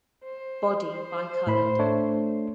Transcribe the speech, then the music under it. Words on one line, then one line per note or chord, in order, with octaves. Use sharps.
Body bicolored.
C5
A2 B5
A3 D4 C#5